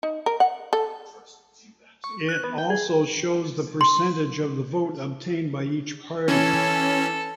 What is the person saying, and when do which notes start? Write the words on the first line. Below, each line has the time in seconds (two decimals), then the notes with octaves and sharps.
It also shows the percentage of the vote obtained by each party.
0.03 D#4
0.26 A#4
0.40 F#5
0.73 A4
2.04 C#6
2.29 F#6
2.44 B3
2.58 G5
2.70 G#4
3.81 C6
6.28 E3 C#4 A4